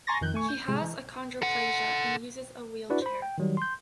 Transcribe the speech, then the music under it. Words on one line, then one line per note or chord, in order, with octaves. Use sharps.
He has achondroplasia and uses a wheelchair.
G#5 A#5 C6 C#6 A6 A#6
F2 D#3 F#6 G6
A3 G#5 C#6
G6
A2 C3 G#3 G#4
E3
A4 F#5
D4 E4 F#4 B4 D5
C5 B5
G5
D#3 F#3 G3
C6 G6